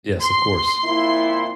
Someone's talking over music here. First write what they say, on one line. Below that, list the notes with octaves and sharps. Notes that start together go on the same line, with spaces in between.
Yes, of course.
C6
F2 A#2 E4